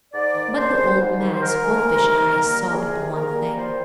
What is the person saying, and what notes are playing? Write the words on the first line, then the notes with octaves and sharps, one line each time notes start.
But the old man's wolfish eyes saw but one thing.
G#2 D5
D#3
G#2 C5
G#3
G#2
D#3
C5
G#2 A#4
G#3
C3
D#3
A#3
G3
A#4
C3 G#4
D#3
A#3 A#4
G3
A#2 C5